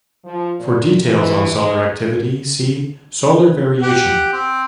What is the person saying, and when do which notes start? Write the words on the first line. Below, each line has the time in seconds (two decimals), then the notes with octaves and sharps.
For details on solar activity see: solar variation.
0.25 F3
0.59 A#2
1.05 E3
1.54 G#3
3.82 G4 F#5
4.32 C4